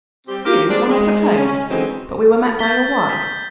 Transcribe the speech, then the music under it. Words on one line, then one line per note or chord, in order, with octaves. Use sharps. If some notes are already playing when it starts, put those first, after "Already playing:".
You were not at home, but we were met by your wife.
G3 C4 G4
A#3 G4
F#3 G#3 C4 D4
G#3
C#4
D3 E3 F#3 G#3 C4 D#4
G6 A6 B6 G7
B6